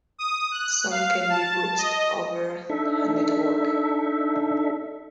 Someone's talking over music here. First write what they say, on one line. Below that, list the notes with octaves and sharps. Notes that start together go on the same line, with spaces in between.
Some can be booted over a network.
D#6
F#6
F5
A5
D#5
D4 D#4 A4 E5